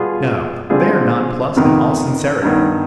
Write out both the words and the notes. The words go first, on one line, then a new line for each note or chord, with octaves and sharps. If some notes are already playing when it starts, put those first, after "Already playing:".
No, they are nonplussed in all sincerity.
Already playing: B2 G3 B3 F4 G#4
D3 G3 C4 F4 G#4
F2 C3 D#3 B3
G2 D#3 B3